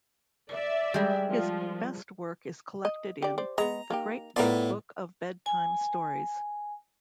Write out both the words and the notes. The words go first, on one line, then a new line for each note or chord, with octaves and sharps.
His best work is collected in "The Great Big Book of Bedtime Stories".
D5 E5
G3 G#3
F3
D#5
G4 D5
C5 D5
G#3 B3 A#5
A#3 D#4 G4
A2 B3 F4 A4 A#4 D5
G#5